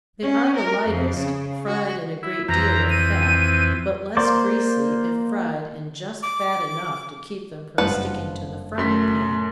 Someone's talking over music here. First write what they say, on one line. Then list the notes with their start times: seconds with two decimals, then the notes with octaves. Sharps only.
They are the lightest fried in a great deal of fat, but less greasy if fried in just fat enough to keep them from sticking to the frying pan.
0.22 C#4
0.57 A#4
0.87 F2
1.18 C#3
1.67 F#4
2.23 E4
2.48 F2 E3 C4 A#5
2.90 D#7
4.17 A#3 C5 D5
6.23 D6
7.78 F#1 G2 F3 B4 F#5
8.78 F#2 A3 C6 B6